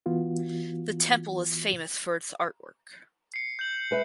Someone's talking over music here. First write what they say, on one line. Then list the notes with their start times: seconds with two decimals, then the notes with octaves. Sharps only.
The temple is famous for its artwork.
0.06 E3 B3 F4 F#4
3.34 C7 C#7
3.59 G6 F#7
3.91 G#3 B4 E5